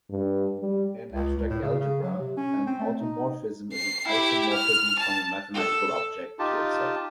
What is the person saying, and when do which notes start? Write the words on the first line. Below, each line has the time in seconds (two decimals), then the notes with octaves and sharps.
In abstract algebra, an automorphism is an isomorphism from a mathematical object to itself.
0.10 G2
0.60 G3
1.13 C#2
1.37 C#2
1.50 A2
1.62 C#3
1.80 C#3
2.03 F#3
2.20 C3
2.37 C#4
2.67 C4
2.80 A3
3.01 D#4
3.73 C7
4.08 E4 G4
4.53 F6
4.99 A5
5.54 A4
6.39 D#4 F4 G4 A5